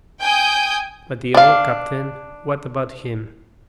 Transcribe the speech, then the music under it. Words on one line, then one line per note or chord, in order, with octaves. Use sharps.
But the old captain, what about him?
G5 G#5 D#6 G6
D4 F5